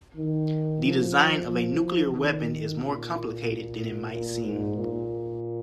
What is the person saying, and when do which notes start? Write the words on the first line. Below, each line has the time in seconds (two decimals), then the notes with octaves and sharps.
The design of a nuclear weapon is more complicated than it might seem.
0.16 D#3
0.81 F3
1.47 F3
1.80 F3
2.14 D#3
2.79 A#2
4.11 A#2
4.44 G#2
4.77 A#2